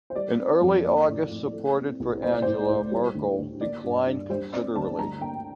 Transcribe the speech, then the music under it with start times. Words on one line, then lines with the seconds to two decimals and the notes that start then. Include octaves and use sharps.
In early August support for Angela Merkel declined considerably.
0.10 C5
0.16 G3 D5
0.39 C4
0.62 F2
0.85 A#3 D5
1.08 A2
1.31 A2
1.54 A3
1.77 C4
2.00 C2
2.22 A#3 C5
2.32 D5
2.42 A2 C5
2.69 A2
2.92 G3
3.15 D2
3.38 D2
3.61 A#3 D5
3.84 G2
4.07 G2
4.30 G3 C5
4.53 C4 D5
4.76 D2 A5
4.98 G3 A#5
5.21 A#3 G5